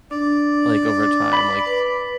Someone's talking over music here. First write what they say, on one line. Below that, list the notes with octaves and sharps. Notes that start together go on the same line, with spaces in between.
Like, over time, like,
D4 D5
B5
B4